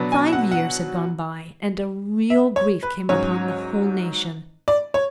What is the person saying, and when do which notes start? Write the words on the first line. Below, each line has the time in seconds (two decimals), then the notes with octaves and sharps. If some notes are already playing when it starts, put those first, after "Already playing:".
Five years had gone by, and a real grief came upon the whole nation.
Already playing: B2 F#3 B3 D4
0.12 G#5
0.33 F#5
0.52 F#5
2.30 E5
2.56 C#5
2.83 B4
3.09 G#2 F#3 C#4 C#5
4.68 D5
4.94 C#5